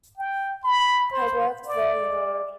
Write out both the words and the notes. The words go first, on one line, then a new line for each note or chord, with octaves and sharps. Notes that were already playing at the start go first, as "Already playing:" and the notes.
I worked very hard.
G5
B5
C5
D5